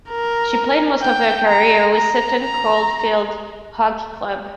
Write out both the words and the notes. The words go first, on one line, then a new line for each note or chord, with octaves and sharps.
She played most of her career with Sutton Coldfield Hockey Club.
A#4
G5
A#5
A#5
A#5